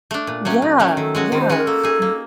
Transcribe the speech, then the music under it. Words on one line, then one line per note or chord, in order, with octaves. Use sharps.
Yeah, yeah, w
A3 D4
A#2
F#3 A3 C#4
A#2
F#3 A3 C#4
D#3 A4
G#3 C#4 F#4
D#3 A#4
C5
G#3 C#4 F#4 B4
A#4
A#3 A4
D#4 G#4
A#3